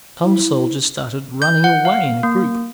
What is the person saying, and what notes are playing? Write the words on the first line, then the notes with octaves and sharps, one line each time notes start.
Some soldiers started running away in a group.
E4
G6
F#5
F5
A#3